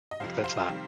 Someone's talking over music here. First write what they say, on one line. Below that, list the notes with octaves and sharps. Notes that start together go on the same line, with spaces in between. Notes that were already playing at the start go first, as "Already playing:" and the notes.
Like that's not
D#5
F2 C3 G3 C5 F5
C5 F5
C3 D#3 G3